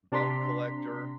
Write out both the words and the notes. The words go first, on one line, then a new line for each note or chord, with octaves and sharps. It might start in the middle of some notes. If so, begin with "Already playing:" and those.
Bone Collector
C3 D4 A#5 C6 B6